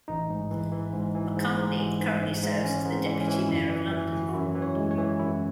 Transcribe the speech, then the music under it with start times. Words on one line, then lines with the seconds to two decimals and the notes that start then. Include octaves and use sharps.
McCartney currently serves as the Deputy Mayor of London.
0.08 A1 D#4
0.30 G#2
0.51 E3
0.72 E3
0.93 G#2
1.15 E3
1.36 G#2
1.57 G#2
1.79 E3
2.00 G#2
2.22 G#2
2.43 G#2
2.63 G#3 C#4
2.85 G#2
2.92 C4
3.06 E3
3.21 C#4
3.28 E3
3.49 F#2 E4
3.70 E3
3.92 E3
4.13 E3
4.29 F#4
4.34 F#2 E4
4.55 E3
4.62 C#5
4.77 G#3
4.91 C#5
4.98 E3
5.19 F#2 E4